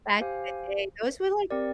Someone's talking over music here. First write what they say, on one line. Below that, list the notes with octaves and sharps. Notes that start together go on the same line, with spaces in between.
back in the day, those were like
G4 C5 F5 G#5
C4 G4 A#4 D5